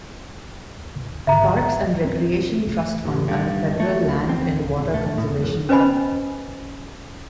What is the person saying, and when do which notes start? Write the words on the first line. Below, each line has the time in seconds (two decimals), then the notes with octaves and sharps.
Parks and Recreation Trust Fund and the federal Land and Water Conservation Fund.
1.27 G#1 D3 D4 E5 A#5
2.05 C4 D4
3.05 A1
3.28 G2
3.80 A3
4.05 C#2
4.29 C4
4.46 D1
4.80 D1
4.94 A3
5.18 A2
5.30 E1
5.42 F#2
5.69 C#4 B4 C5 D#5 G#5 B5